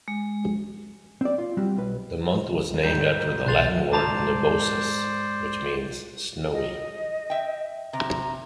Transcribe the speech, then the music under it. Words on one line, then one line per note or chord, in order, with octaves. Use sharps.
The month was named after the Latin word "nivosus", which means "snowy".
G#3
C4 D5
F4
G3 C4 F#4
B1 B4
G#2 G3 A4 G6
B1 C6 F#6 A6 F7
G#2 C5 D5 A5 A#5
D#5
E5 G5
C3 A#5